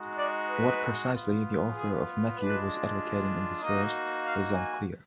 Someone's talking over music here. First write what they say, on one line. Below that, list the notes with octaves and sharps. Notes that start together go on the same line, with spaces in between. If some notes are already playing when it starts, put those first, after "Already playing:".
What precisely the author of Matthew was advocating in this verse is unclear.
Already playing: G#3 D#4 F#4
D5
B4
B3 F4
G#4
G#3 D4 F4 B4
A#3 D#4 F#4 D#5
F5
G#5